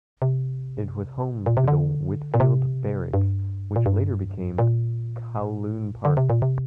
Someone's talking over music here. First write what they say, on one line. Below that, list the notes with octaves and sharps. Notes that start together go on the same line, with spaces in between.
It was home to the Whitfield Barracks, which later became Kowloon Park.
C3
A#2
C3
D3
A#2
C3
G2
A#2
G2
A#2
D3
C3
A#2
C3